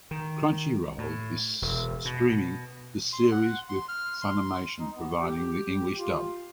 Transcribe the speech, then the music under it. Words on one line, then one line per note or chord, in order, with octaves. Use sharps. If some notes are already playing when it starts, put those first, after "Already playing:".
Crunchyroll is streaming the series with Funimation providing the English dub.
D#3
A2
E1
B2
C6
F#5
C6
F6
C6
D#4
B3
G4
F4